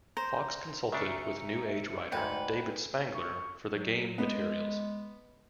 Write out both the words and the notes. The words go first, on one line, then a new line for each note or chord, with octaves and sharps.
Fox consulted with New Age writer David Spangler for the game materials.
C5 A#5
C#3 D4 E5 C#7
D2 G#2 B4 G5
C#6
F#3
G#3 B3